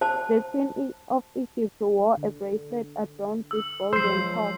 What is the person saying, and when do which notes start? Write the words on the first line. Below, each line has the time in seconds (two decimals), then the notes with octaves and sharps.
The queen of Egypt wore a bracelet adorned with golden hawks.
0.01 C5 A5
2.17 D3
3.51 E6
3.93 F3 F#3 G#3 C5 E6 C7